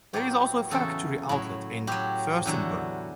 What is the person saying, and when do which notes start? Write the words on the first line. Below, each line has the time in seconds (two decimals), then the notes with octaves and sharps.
There is also a factory outlet in Fürstenberg.
0.13 A2 F#3 G4
0.71 E2 C#3 F#3 A4
1.29 A2 F#3
1.87 A2 F#3 G4
2.46 E2 D3 F#3